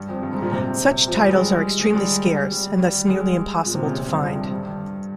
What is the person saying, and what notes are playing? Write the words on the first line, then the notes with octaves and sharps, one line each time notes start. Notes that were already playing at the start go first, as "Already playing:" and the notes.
Such titles are extremely scarce and thus nearly impossible to find.
Already playing: G2
F2
G2
G#2
A#2
C3
F3
G3
G#3
G#3
G3
G3
G3
G#3
A#2
C3
C#3
C3
G2
F2
G2